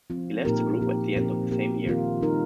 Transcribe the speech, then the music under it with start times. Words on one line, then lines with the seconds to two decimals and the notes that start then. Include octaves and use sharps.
He left the group at the end of the same year.
0.10 F3 C4 F4
0.45 A#2 A#3 D#4 G4 A#4
0.81 F3 A#3 G4
1.16 A#2 F3 C4 G4 A#4
1.51 A#2 A#3 G4 A#4
1.86 D#3 C4 F4 A#4
2.21 G3 D#4 A#4